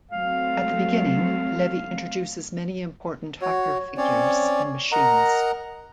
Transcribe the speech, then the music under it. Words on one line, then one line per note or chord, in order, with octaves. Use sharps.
At the beginning, Levy introduces many important hacker figures and machines.
F#3 A3 C4 F5
F#4 C#5
C4 C#4 C#5 D5
A#4 D#5 F#5 A#5